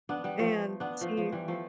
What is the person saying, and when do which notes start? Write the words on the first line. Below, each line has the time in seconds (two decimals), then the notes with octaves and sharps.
and see
0.09 B3 D4
0.24 G3 B3
0.39 F3 A3
0.80 B3 D4
1.01 F3 A3
1.17 F3
1.32 E3 G3
1.48 F3 A3